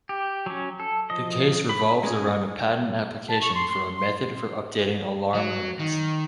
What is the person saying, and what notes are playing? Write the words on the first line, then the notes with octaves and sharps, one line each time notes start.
The case revolves around a patent application for a "Method for Updating Alarm Limits".
G4
F#3 C#4
A4
F3 D#5
B5
G#3 C#4 G#4
A5
C#6
C6
C6
C6
F#3
D#3